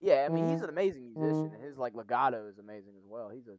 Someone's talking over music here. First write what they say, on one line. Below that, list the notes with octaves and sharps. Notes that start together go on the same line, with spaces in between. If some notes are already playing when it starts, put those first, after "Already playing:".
Yeah, I mean, he's an amazing musician, his, like, legato is amazing as well. He's a
E3
D#3